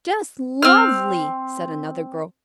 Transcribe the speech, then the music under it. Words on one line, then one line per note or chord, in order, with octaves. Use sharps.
"Just lovely!" said another girl.
C4 F6